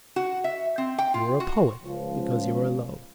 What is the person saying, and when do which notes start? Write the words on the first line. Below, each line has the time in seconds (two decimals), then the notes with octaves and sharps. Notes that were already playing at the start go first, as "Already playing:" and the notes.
You are a poet because you are low.
0.16 F#4
0.44 E5
0.78 C4
0.98 G5
1.14 F4
1.40 F#4
1.83 C#2 F3